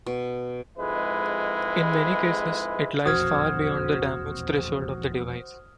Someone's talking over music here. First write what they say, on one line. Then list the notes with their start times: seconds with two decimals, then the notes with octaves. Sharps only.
In many cases, it lies far beyond the damage threshold of the device.
0.06 B2
0.78 F2 G#2 G#3 E4 B4
3.06 E1 A#1 F2 F#4 C5 D#6 F6 G#6